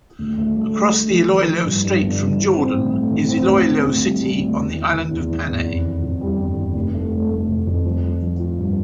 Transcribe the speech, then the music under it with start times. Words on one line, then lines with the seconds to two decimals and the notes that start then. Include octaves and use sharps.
Across the Iloilo Strait from Jordan is Iloilo City on the island of Panay.
0.19 D2
0.38 D2
0.56 A3
0.74 A3
0.92 A3
1.10 F3
1.28 E3
1.46 E3
1.65 G2
1.84 G2
2.01 G1
2.20 G2
2.38 E3
2.57 C4
2.74 A2
2.93 A3
3.11 E3
3.29 C4
3.47 D2
3.66 E3
3.84 D2
4.02 G3
4.20 G3
4.39 D2
4.57 E2
4.76 E3
4.94 E3
5.11 E2
5.29 E3
5.48 E2
5.66 F2
5.85 E3
6.03 F2
6.21 G3
6.39 G1
6.57 E3
6.75 F1
6.94 A3
7.12 A3
7.30 A3
7.48 F1
7.67 F2
7.85 F3
8.03 F3
8.22 F3
8.39 F4
8.58 G2